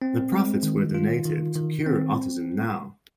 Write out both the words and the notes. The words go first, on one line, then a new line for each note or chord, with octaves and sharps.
The profits were donated to Cure Autism Now.
C4
G#3
D#3
F4
D#3
D#3
C4